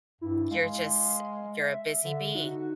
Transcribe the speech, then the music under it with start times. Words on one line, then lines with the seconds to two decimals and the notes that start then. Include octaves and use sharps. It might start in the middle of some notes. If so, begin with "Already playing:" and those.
you're just you're a busy bee.
0.21 G2 E4
0.51 G#3 F5
1.62 E5
2.04 D3
2.34 D#4 F#4